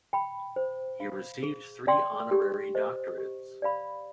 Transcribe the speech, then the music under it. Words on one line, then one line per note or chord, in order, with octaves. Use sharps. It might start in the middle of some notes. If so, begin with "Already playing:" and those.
He received three honorary doctorates.
G5 B5
C5
F5 B5
G#4
D5 G5 C6
G4
C5 D#5
G4
D5 F5 B5